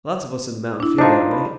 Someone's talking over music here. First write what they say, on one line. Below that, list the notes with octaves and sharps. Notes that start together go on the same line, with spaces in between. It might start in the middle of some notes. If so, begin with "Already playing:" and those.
Lots of us in the mountain feel that way.
D4 E4
D4 D#4 F4 C5 A5
B5